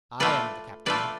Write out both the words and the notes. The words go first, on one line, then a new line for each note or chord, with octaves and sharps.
"I am the captain."
A3 F4 B4 D5
A3 F4 B4 D5